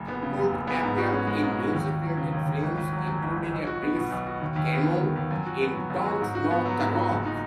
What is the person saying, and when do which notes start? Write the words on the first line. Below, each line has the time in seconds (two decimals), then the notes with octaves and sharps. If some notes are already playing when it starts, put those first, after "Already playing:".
Cole appeared in music-related films, including a brief cameo in "Don't Knock the Rock".
Already playing: F#1
0.08 B3
0.23 C#3
0.38 F#2
0.52 F#1
0.67 B3
0.83 G#2
0.98 F#4
1.12 C#4
1.27 G#3
1.42 G#2
1.58 F#4
1.73 D#2
1.87 D#2
2.03 F#3
2.17 C#3
2.32 D#2
2.47 D#2
2.63 G#1
2.78 G#1
2.93 F#3
3.06 F#2
3.22 G#1
3.36 G#1
3.52 B1
3.67 F#4
3.82 B3
3.97 B2
4.11 B1
4.27 F#4
4.41 D#2
4.56 D#2
4.72 B3
4.86 D#3
5.01 D#2
5.16 D#2
5.31 F#2
5.46 F#4
5.61 B3
5.76 F#3
5.90 F#2
6.06 F#4
6.21 G#2
6.35 F#4
6.51 B3
6.65 F#3
6.80 G#2
6.95 F#4
7.10 F#1
7.25 D#4